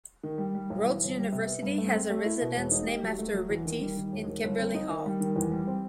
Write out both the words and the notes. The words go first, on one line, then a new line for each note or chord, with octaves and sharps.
Rhodes University has a residence named after Retief, in Kimberley Hall.
D#3
G3
G3
B1
E3
G1
G3
C3
B3
G2
A3
C4
A3
E4
B2
E1
D#4
G4
F#3
A3
F#3
E2
D#3
G3
D#3
E1
D#3
G1
C4
D#4
D#3
G3
D#3
E2
G3
C4